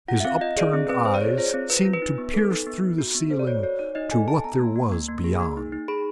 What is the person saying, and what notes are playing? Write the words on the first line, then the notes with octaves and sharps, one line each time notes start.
His upturned eyes seemed to pierce through the ceiling to what there was beyond.
F4 F#5
E5
C4 F5
F4 D#5
G#4 D5
C4
C4 B4
C4 C5
D5
G#4 C#5
F4 C5
C4
F4 B4
F4
B4
D#4
B3
A4
D#4
B3
D#4
F#4
B3
A4 C5
D5
F#4 C#5
F#4 C#5
D#4 D5
D#4 D#5
A4 G#5
D#4 A5
B3 A#5
A#3
A#3
A#3
A#3
G#4
A#3
D#4
D#4
G#4 B5